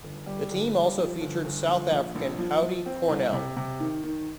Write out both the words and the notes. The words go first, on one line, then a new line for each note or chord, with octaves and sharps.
The team also featured South African Howdy Cornell.
G1
G3
G1
G3
F3
G1
G1
F3
A#1
A#1
F3
F3
C4
C2
C3
C3
D#3
D#3